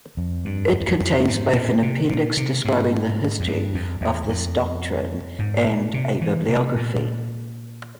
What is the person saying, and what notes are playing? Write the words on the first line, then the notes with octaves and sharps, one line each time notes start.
It contains both an appendix describing the history of this doctrine and a bibliography.
F2
G2
F2
E2
F2
F2
G#2
A#2
C3
A#2
C3
G#2
F2
G2
F2
E2
F2
G#2
A#2
C3
E3
C3
A#2